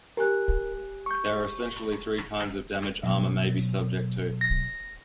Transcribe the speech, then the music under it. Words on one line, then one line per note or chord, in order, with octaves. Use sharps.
There are essentially three kinds of damage armor may be subject to.
G4 A#4 G#5 F#6
C#6 G6
B2 F#3
A#6